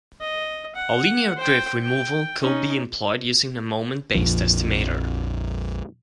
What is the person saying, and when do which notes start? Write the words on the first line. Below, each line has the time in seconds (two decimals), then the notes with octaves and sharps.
A linear drift removal could be employed using a moment based estimator.
0.21 D#5
0.75 F#5
1.37 C5 G5
1.83 G5
2.39 C#4 D#4
4.15 A#1 F2 F3